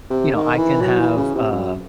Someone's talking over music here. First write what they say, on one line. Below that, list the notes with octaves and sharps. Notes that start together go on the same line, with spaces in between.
you know, I can have, uh
C3
D#3
E3
F#3
E3
C#3
C3
F#2